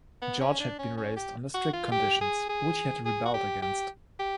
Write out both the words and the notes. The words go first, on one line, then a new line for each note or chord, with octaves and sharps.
George had been raised under strict conditions, which he had rebelled against.
B3
C#4
D4
C#4
C#4
G4
F#4
F4
G4
G#4
G#4
G#4
F#4
G4
G4
G4